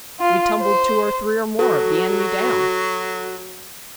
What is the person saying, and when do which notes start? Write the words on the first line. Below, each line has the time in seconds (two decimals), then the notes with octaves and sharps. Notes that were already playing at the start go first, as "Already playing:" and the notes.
We tumbled two or three, or more, of the enemy down.
0.20 F4
0.61 C5
1.59 F#3 F#4 A4